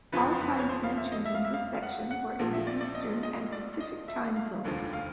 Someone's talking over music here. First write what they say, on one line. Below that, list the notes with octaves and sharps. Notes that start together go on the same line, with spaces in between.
All times mentioned in this section were in the Eastern and Pacific time zones.
F#1 F2 C#3 F3 B4
C5
B4
C#5
C5
F5
E5
D#5
E5
F5
E5
F5
F5
F#5
F#5
A#1 A#2 F3
E5
D5
D5
D#5
D#5
D5
D#5
E5
F5
F1 D#2 D3 F3
F5